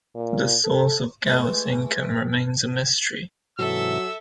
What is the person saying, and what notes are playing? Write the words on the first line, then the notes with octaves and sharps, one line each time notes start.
The source of Gower's income remains a mystery.
A#2
A4
E3 G#3 A3
G#2 C3 E3 F#3 A4 E5 E6